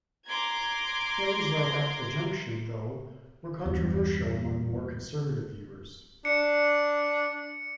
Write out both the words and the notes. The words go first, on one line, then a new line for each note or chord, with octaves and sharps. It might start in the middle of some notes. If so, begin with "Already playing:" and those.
Plays like "Up the Junction" though were controversial among more conservative viewers.
A#5 C6 D6 G#6
E2 G2
D4 C#7